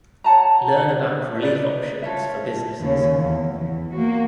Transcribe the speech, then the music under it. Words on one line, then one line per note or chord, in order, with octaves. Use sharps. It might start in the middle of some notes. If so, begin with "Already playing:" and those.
Learn about relief options for businesses.
C#5 F#5 A5 A#5
B4 F#5
D#4 B4 D5
F4 A4 C#5 E5
D#2 C#3
E2
E2
A#3 F#4